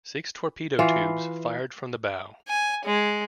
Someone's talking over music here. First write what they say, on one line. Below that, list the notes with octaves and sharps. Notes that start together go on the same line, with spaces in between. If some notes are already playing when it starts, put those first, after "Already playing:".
Six torpedo tubes fired from the bow.
E3 F4
G#5
G#3